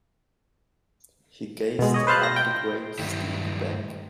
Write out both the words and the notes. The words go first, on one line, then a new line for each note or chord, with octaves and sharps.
He gazed up the great steep bank.
B2 G#3
C#5 D#5
B4 C5 F5 A5 F#6
A#6
G5
G2 D#3 F#3 E4 G4